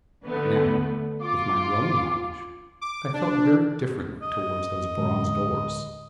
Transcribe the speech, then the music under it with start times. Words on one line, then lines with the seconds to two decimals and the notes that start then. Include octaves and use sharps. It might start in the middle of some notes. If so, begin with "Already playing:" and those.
But now, with my growing knowledge, I felt very differently towards those bronze doors.
0.25 D3 A3 B3
1.22 F4 D6
2.81 D6
3.14 D4
4.22 D#5
4.97 D2 A2 G#3